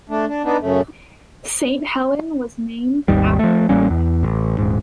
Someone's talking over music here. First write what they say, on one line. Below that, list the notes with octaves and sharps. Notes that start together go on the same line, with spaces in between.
Saint Helen was named after the lake.
A3 D4
D4
B3 D4 D#4
F#2 C#3 A3
G#1 D#2 D#3 G3
F3 A3
A1 G3 A#3 C#4
E2
A1
D#1 G#2